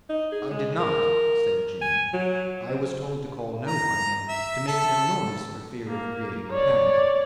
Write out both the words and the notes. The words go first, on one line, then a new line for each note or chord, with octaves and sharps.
'I did not,' said Jim. 'I was told to call no one and to make no noise for fear of creating a panic.
D#4
G#4
G#3
A#4
G#5
F#3
C4
A#5
E5
A4
A#3
C#5 D5